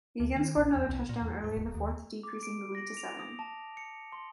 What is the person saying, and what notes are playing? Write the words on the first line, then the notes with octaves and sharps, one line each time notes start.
He again scored another touchdown early in the fourth decreasing the lead to seven.
D2
D#3
A#1
E2
C2
A#2
E2
G#2
D#1
D#2
D6
D7
A#6
F7
D#6
A5
C#7
C6